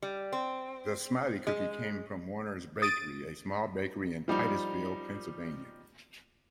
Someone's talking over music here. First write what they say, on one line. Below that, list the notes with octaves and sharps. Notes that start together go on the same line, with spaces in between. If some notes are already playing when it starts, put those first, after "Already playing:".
The Smiley Cookie came from Warner's Bakery, a small bakery in Titusville, Pennsylvania.
G3
C4
G#3
D#6 A6 D7 D#7
F3 G3 D#4